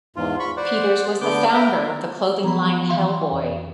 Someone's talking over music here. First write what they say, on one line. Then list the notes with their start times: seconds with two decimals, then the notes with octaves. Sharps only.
Peters was the founder of the clothing line Hellboy.
0.16 E2 G#2 F4
0.39 B5 C#6
0.57 C5 D5 F#5
1.21 D3 B3 D6 G6
1.53 A#4 B4 E5 G5
2.44 F3 B3 A#5 B5
2.89 E3 F5 C6
3.32 F2 D5